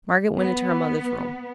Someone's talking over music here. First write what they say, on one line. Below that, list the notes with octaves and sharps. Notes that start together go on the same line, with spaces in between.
Margaret went into her mother's room.
B3